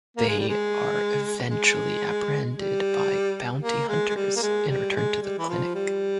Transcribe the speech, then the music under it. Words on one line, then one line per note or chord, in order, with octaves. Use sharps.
They are eventually apprehended by bounty hunters and returned to the Clinic.
A#3
G#3
G3
G#3
G#3
G3
A#3
G#3
G#3
G3
A#3
G#3
G3
G3
G#3
G3
E3
F3
G3